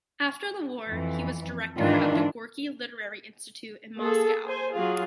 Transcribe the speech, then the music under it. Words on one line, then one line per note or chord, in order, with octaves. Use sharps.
After the war, he was director of the Gorky Literary Institute in Moscow.
F2 E3
G#2 D#3 E3 D4 E4 F4
A#3 G#4 A4
C5 G#5
F#3 F4 G#4